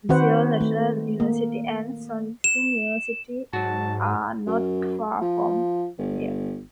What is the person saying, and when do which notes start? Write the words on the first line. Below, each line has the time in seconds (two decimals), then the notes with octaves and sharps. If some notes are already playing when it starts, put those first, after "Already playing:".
Seoul National University and Soongsil University are not far from here.
0.09 D#3 C4 F#4 B4 C5 F#5
0.61 A3
1.20 A#3
2.44 E7
3.53 G#2 F#3 F#4 A5
4.47 F#2
5.22 F3
5.99 G1